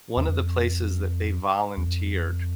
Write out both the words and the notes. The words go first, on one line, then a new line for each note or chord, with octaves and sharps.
one of the places that they volunteered
E2
F2
E2
F2